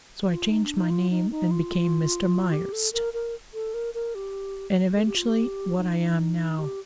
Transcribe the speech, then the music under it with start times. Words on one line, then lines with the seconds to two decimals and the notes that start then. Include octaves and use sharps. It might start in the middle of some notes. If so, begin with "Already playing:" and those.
So I changed my name and became Mr. Myerst, and eventually what I am now.
0.29 F4
0.50 D#4
0.63 D4
0.76 D#4
0.90 F4
1.10 D#4
1.31 D#4
1.51 F4
2.52 G4
2.73 A4
2.93 A#4
3.13 A#4
3.54 A4
3.74 A#4
3.94 A#4
4.15 G4
4.96 A4
5.07 G4
5.16 F4
5.27 G4
5.77 D#4
6.58 G4